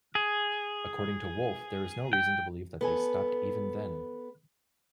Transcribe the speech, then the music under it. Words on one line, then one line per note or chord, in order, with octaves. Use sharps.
According to Wolf, there is no reason to believe that they stopped even then.
G#4
G5
B3 A4 G#5